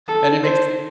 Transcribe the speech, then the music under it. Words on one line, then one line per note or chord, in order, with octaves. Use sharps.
And it makes
A4
C5